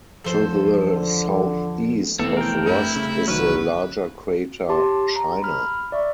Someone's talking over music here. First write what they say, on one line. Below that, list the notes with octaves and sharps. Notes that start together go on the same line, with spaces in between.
To the southeast of Rost is the larger crater Scheiner.
E2 F3 D4 A4 C5
D3
F1 E3 A3 B3 C4 A4
A#4 G5
G2 E4
C#3
C2 D#3 F#3 C#4 F#4 B4
G4 C#5 A5 C6
A#5
B5 F6
D5 E5 C#6